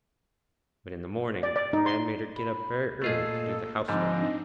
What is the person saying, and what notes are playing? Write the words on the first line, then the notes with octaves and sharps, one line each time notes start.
But in the morning the Man made her get up very early to do the housework.
D5
D5
D#4
C6
B5
A#2 A3 F4 G#4 A4 D#5
G#2 D3 F3 G3 C4 D4 D#4 D#5